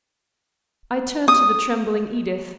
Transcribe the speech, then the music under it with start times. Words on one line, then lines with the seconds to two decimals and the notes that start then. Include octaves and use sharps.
I turned to the trembling Edith.
1.28 D#6